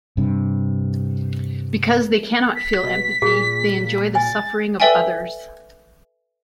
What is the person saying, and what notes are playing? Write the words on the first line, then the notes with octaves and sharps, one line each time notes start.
Because they cannot feel empathy they enjoy the suffering of others.
G2 C3
B6
B2
A#2 G#4
G#5 A6
A4 B4 D5 E5 G5 G#5